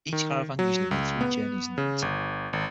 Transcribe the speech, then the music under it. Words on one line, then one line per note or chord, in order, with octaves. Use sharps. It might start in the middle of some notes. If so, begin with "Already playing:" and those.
Each caravan usually made three journeys in the winter.
D#3
F#3
C#2
B3
C#3
G1
G#1